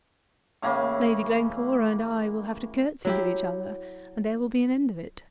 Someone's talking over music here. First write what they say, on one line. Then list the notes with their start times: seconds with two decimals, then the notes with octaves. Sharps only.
Lady Glencora and I will have to curtsey to each other, and there will be an end of it.
0.62 A2 C#3 E3 A#3
3.05 F#3 E4 G4